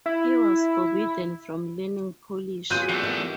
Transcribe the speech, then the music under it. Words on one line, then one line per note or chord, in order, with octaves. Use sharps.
He was forbidden from learning Polish.
E4
F#3 B3 C4 F4 G#4 F#6 G6 D#7
E2 G3 A3
D#3